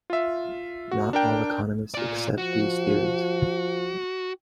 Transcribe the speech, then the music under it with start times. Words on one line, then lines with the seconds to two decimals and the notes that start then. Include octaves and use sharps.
Not all economists accept these theories.
0.10 F4 E5
0.91 F#4
1.13 D4 A#4 G5
1.94 F4 D5
2.38 F3 F#4